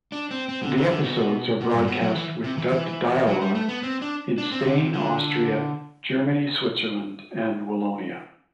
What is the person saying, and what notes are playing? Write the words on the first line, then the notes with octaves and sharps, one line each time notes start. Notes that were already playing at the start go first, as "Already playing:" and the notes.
The episodes are broadcast with dubbed dialogue in Spain, Austria, Germany, Switzerland, and Wallonia.
D4
C4
C4
D3
D3
D3
B2
B2
G2
B2
F#3
E3
C3
E3
E3
F#3
G3
A3
B3
C4
D4
D4
C4
D3
C3
D3